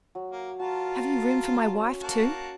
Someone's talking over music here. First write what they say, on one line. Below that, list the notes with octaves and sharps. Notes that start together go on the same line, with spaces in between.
Have you room for my wife, too?'
F#3
A#3
F4 F#4 A#4 A5
C#4
A#3 F#4 A5